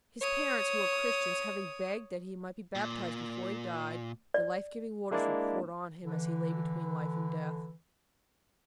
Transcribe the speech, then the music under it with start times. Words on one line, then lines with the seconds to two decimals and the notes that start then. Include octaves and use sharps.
His parents, who were Christians, having begged that he might be baptized before he died, the life-giving waters were poured on him as he lay between life and death.
0.21 C#5 D#6
2.75 A#2
4.34 D5
5.11 G#3 A#3 D4 E4 D5
6.03 D3 E3